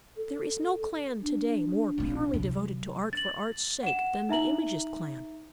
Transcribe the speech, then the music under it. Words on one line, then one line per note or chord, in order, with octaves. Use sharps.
There is no clan to-day more purely devoted to art for art's sake than the Imagist clan.
A4
D4
A#1 C4
C3 F#3
A6 F#7
F#5 E7
D#4 E5 A#5 F#7